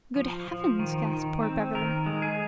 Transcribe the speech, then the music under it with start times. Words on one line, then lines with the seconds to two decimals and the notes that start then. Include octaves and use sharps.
"Good heavens!" gasped poor Beverly.
0.16 F3
0.48 F3
0.79 D#3
1.12 D#3
1.43 C4
1.75 D#3 A#4
2.06 G#3
2.22 G#4